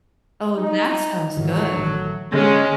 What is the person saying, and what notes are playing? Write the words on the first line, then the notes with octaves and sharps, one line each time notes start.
Oh, that sounds good.
D#4
G#2 D#3 E3 F#3 A3
A1 D#3
C#2 G#2 D3 G#3 C#4